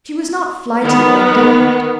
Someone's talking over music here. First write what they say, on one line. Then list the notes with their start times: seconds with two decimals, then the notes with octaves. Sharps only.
She was not flighty or indignant.
0.83 D#3 B3